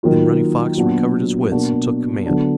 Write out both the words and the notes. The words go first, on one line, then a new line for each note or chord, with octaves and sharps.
Then Running Fox recovered his wits, and took command.
D#3 F#3 A#3 F4
A#2 F#3 B3 D4 F#4
B2 A#3 D4 F#4
D3 F#3 B3 D4